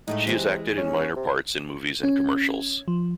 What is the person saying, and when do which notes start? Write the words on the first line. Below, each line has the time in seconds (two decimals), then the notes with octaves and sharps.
She has acted in minor parts in movies and commercials.
0.08 A2 G#3 A3 D#4
0.27 C3 E3 G#3
0.78 C#4
1.16 C3
2.03 C#4
2.88 F3